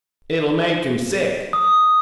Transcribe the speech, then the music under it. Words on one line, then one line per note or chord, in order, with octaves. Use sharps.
"It'll make him sick."
D#6